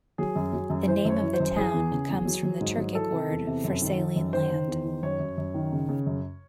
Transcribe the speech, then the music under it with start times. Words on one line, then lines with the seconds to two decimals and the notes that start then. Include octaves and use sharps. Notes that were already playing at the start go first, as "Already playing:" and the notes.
The name of the town comes from the Turkic word for saline land.
0.18 F#3 G#4
0.36 F#2
0.53 F#3
0.70 F#2
0.87 E3 C5
1.05 F#2
1.10 C#5
1.22 E3
1.33 C5
1.40 F#2
1.56 E3 G#4
1.73 E2
1.92 C#3
2.09 E2
2.25 F#3
2.43 F#3
2.61 G#2
2.78 F#3
2.95 E3 A4
3.12 C3
3.29 E2
3.47 C3
3.64 F#2
3.82 D#3
3.99 D#3
4.16 F#2
4.33 D#3 C5
4.51 D#3
4.68 E2
4.85 D#3
5.03 F#2 C#5
5.20 F#2
5.38 F#2
5.54 D#3
5.72 C#3
5.89 C#3
6.06 F#2